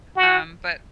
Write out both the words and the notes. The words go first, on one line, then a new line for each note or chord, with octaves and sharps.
um, but
F#4